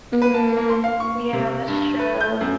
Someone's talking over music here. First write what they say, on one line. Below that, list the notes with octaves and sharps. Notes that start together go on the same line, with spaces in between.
Mm, yeah, that's true,
B4
A5
A#3
C6
F5
C#6
C3
G2
B4
G6
F#2